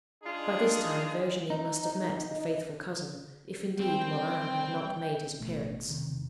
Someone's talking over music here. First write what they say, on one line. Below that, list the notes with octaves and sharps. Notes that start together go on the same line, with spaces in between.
By this time Virginie must have met the 'faithful cousin:' if, indeed, Morin had not made his appearance.
G#3 D4 D#4 F4 G#4
D#4
G3 C4 G5
A1 B2 A3
E1 C3 D#3